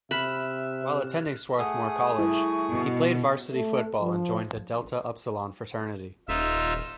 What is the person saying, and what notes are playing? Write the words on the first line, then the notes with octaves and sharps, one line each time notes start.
While attending Swarthmore College he played varsity football and joined the Delta Upsilon Fraternity.
C3 E5 B5 F6 F#6 E7
A3 G#4 F#5 D#6
G3 E4 C#6
B2
A3
F3
D#1 D#4 F4 E5